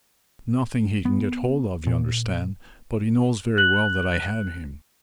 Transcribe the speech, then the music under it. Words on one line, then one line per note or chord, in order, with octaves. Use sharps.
Nothing he can get hold of, you understand; but he knows very well that I had him.
B3
A#2
F#6 F#7